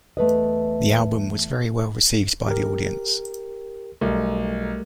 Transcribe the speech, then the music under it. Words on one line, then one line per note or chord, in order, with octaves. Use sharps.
The album was very well received by the audience.
E2 A3 B4 D#5
G4 A#4
B1 G3 A3 A#4